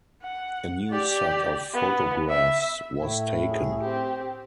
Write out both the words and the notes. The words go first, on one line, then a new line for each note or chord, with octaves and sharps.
A new set of photographs was taken.
F#5
G4 D5
B3
E5
A2
G#4
C4 G4